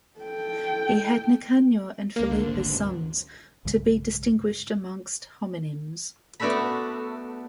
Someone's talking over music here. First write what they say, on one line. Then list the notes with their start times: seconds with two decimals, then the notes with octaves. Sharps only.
He had Nicanor and Philippe as sons, to be distinguished amongst homonyms.
0.20 A4 G5
2.16 C#2 A#3 A#5
2.30 D2
2.47 G#1 C5
2.70 C#2 F#2 C3
3.65 B1 G2 C#3 G#3
6.40 A3 B3 D4 F#4 A4 B5